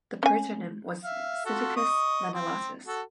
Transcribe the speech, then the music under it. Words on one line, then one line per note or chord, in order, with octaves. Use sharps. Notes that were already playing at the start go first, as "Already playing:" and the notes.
The protonym was "Psittacus manilatus".
C#4 G#5
E5 F5
F4 F#4 A4
D#5 C#6 D#6
C4
F#4 A4